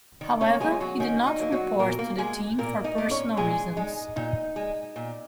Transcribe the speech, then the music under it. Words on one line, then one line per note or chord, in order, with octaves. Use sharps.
However, he did not report to the team for personal reasons.
D#3
C#4 C#5
F#3 G#3 A#3 G#4
F#3 F#4
D#3 C#4
D#4
F#3 A#3
F#3 F#4
A#2 A#3 A#4
A#3 A#4
G#3 A#3 G#4
A#2 A#3 A#4
D#4 D#5
A#3
C#4 C#5
A#2 G#3 G#4
G#3 D#4
A#2 D#4
G#3
A#2